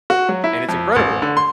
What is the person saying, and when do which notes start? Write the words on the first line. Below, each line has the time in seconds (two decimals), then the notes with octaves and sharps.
And it's incredible.
0.10 F#4
0.29 F#3
0.44 E4
0.69 F2
0.96 A1
1.22 D3
1.37 C6